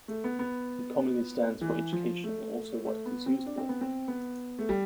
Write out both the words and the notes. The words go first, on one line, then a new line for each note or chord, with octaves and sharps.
It commonly stands for education, also what it is used for.
A3
B3
B3
E3
F3
A3
A3
B3
C4
D4
C4
B3
C4
B3
A3
G3